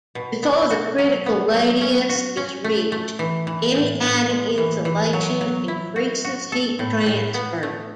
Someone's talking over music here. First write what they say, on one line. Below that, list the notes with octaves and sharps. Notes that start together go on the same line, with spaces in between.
Before the critical radius is reached any added insulation increases heat transfer.
B2
B3
F#4
F#3
B3
F#3
C#4
F#4
C#4
A3
A3
E3
E3
A2
A2
G#3
E3
E3
F#3
F#3
E4
F#4
F#4
A4
A2
A2
B3
A3